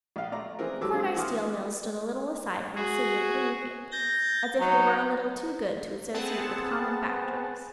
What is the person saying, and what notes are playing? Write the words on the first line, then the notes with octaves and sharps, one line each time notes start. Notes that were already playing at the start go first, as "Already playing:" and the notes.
The Cordyce Steel Mills stood a little aside from the city of Greenfield, as if they were a little too good to associate with common factories.
A#1 F5
A3 D5 A#5
E3 C4 G#4 A#4
G#2 F#3 G4 A4 D6 E6
C4 D4 F4
E3 C6 D6 D#6 F6
F#4 G#4
G6 A6 A#6
F#3 D#4
B3 C4 G#4 F#5 A5